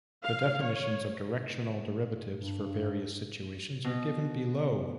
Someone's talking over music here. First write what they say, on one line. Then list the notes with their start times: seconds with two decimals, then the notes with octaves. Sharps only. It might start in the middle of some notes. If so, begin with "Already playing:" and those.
The definitions of directional derivatives for various situations are given below.
0.24 F5
0.61 C#5
2.34 G2
3.84 B2